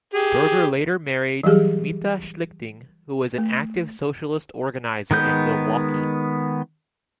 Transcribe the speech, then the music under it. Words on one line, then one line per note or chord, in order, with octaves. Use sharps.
Berger later married Meta Schlichting, who was an active socialist organizer in Milwaukee.
G4 G#4
E3 F#3 G3 G4 G#4
A3
D#3 G#3 B3 G6